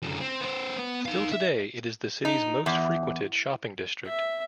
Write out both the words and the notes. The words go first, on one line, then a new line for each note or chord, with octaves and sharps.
Still today it is the city's most frequented shopping district.
F#2 D3
C4
B3 C5
B3
D#4 F5
E5
D#4
E2
E5